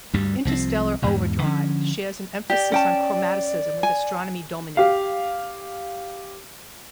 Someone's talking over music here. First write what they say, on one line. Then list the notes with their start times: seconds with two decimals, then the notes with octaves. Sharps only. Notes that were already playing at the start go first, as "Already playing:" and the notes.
"Interstellar Overdrive" shares an emphasis on chromaticism with "Astronomy Domine".
0.14 D2 G2 G3
0.45 C2 F3 G#3 C4
1.02 E2 G#2 B2
1.42 D3 F3 C#4
2.50 G4 D5
2.72 C#4 G5 A5
3.83 G#5
4.77 G4 F5